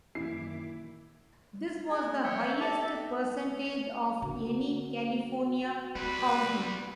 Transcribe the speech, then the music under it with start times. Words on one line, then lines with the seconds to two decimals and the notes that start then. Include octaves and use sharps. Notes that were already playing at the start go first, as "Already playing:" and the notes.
This was the highest percentage of any California county.
0.15 F#2 A#2 D#3 E3 E4 D6 C7
1.89 G#3 D#5 G#5
2.23 C#5 E5 G5
2.61 G4 A4 D5 E5 A5
2.85 E5
4.22 D3 F#4
5.95 C3 G3 A3 B4